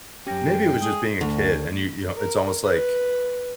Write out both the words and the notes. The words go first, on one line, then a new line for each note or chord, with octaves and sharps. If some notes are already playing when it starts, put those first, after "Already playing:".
Maybe it was just being a kid, and you you know, it's almost, like,
F#2 C#4 G4 G5 A#6
G#3 G#4
D2
A#4
B4